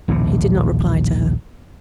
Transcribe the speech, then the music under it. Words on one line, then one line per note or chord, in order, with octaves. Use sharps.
He did not reply to her.
A#1 D#2 A2 C3